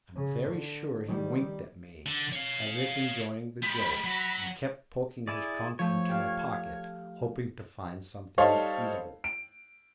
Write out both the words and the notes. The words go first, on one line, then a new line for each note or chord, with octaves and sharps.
I'm very sure he winked at me, as if enjoying the joke, and kept poking his trunk into my pocket, hoping to find something eatable.
C#3
D3
D#3 G3
D3
C#5 F5
G3 G#3 B5
F#3 F#4
E4 G#4 D5
F3 A3 C#5
G4 A4 F5
G3 D#4 A4 C5 C#5 F5
D7